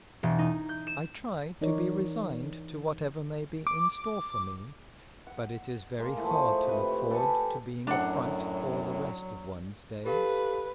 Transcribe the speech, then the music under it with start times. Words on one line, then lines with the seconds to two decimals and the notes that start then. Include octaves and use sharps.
I try to be resigned to whatever may be in store for me, but it is very hard to look forward to being a fright all the rest of one's days.
0.23 E1
0.39 D#4
0.69 G6
0.87 E7
1.61 E3 D#4 A#4 C#5 D5
3.67 D6
5.27 F#5
5.99 G#3 A#3
6.17 A2 F3
6.29 F3 C#5 D#5
6.67 C3 B4
7.10 G4 A4 B4 G#5
7.87 F#2 A2 F#3 D4 F#5
10.06 G4 A4 B4 F5